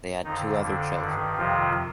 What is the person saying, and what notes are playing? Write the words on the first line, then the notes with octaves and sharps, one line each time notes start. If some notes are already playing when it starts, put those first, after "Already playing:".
They had two other children.
F2 D3 D#3 D#4
F2 D3 D4
G2 D3 D#3 D4
F2 C3 D#3 F3 F4